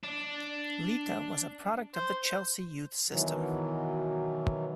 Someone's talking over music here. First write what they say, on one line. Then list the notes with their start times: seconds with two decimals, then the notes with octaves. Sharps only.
Lita was a product of the Chelsea youth system.
0.03 D4
1.95 C5
3.11 B2 D#3 E3 F#3